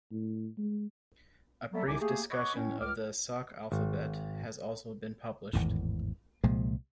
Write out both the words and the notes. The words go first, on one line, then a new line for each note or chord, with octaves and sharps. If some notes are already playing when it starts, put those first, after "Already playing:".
A brief discussion of the Sauk alphabet has also been published.
A2
G#3
F#3 G3 A#3 B3 A4 E5
C2 C3 D#4 G#5 D6
A3 A#3 G4 G#4
C#5 D#5 F#5 B5 C#6 D6
A2 C#4
C#2 D6 F6
G#1
G#1 E2 A2
C2 A#2 F3 G#3